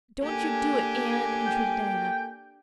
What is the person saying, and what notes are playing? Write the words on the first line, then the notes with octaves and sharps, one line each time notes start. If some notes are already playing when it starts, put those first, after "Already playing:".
"Don't you do it, Anne," entreated Diana.
A#3 D4 G4 A4 G#5
G5